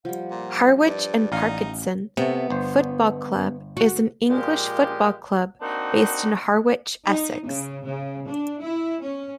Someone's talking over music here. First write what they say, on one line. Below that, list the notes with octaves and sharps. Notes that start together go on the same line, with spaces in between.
Harwich and Parkeston Football Club is an English football club based in Harwich, Essex.
F3 G3 F#5
A#2
G2 D5
A1 D#4 F5
C3 A3 B3
G1 C5
F#4
A#2 F3 G#3 G4
A#3 C4 D4 D#4 F#4
D#4
C#3
C#3
D4
E4
C#4